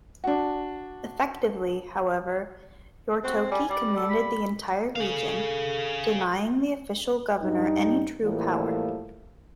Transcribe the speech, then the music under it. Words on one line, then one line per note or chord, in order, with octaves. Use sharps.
Effectively, however, Yoritoki commanded the entire region, denying the official Governor any true power.
D4 F#4
C4 F#4
G3 G#5
G3 D5
A4
B5
G#4 A4 F5
G2 D#4
A2 E3 F3 G3 A3 A#3